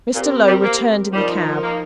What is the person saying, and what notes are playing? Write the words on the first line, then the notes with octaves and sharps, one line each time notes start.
Mr. Lowe returned in the cab.
A#2 C4 G4 A#4
G3
A#3
F3 G3 D#4 A#4
A#3